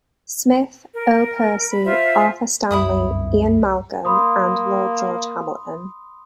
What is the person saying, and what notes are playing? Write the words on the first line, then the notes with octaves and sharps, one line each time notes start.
Smith, Earl Percy, Arthur Stanley, Ian Malcolm and Lord George Hamilton.
A#4
B5
F4 C5 E5
G1 C2 F#2 E4 B5 D#6
A#3 B5 C6 D#6